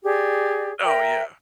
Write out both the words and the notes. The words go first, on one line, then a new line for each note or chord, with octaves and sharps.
Oh, yeah,
G4 G#4 D5
A#4 E5 G5 A#5